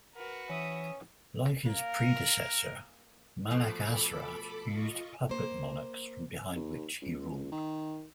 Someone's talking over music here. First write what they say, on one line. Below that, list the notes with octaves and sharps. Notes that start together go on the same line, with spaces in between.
Like his predecessor, Malek Asraf used puppet monarchs from behind which he ruled.
F#4 A#4 B4
E3 C#4 E5 D#6
A#3 A#4 D5
B2 F3 A3 A4 B5 D6
F4 D#5 C#6
A#3 C5
D#2
C#2
D#3